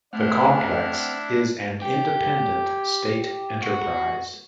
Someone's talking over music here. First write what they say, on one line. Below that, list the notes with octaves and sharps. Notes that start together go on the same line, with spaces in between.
The complex is an independent state enterprise.
A3 C4 D4 E4 F#5 F6
G4
F#4